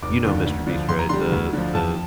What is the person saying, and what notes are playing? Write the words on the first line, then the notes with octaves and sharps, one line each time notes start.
you know MrBeast, right, the the
F1 D6
D#2 D3
D2
D3 F3
F2 C6
A#5
D3 G3 C6
D2
D3 F3
F2 A5